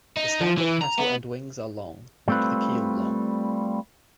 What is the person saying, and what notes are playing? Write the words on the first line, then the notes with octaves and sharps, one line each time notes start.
The standard petal and wings are long and the keel long.
D#4
F3
E3
A#5
B3
G3 A3 C4 F4 B4